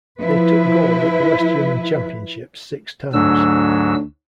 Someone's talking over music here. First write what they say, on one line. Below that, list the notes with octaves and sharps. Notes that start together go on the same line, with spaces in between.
They took gold at the West German Championships six times.
F3 E4 B4
D2 G#2 F#3 E6